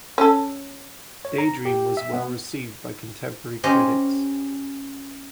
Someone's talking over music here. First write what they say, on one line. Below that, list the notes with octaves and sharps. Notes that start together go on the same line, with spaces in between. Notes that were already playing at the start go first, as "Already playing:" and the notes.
"Daydream" was well received by contemporary critics.
C#4 A4
C#5
A#5
G4
E5
B3
C#4 G4 C5 D#5